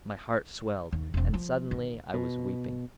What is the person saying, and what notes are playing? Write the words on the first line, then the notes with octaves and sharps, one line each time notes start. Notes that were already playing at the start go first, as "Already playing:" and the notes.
My heart swelled, and suddenly I was weeping.
D#2
E1 C4
F3
D#3
B2